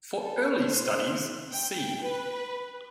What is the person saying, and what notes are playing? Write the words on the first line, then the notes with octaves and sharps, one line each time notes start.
For early studies see.
A4
C5
G5
B4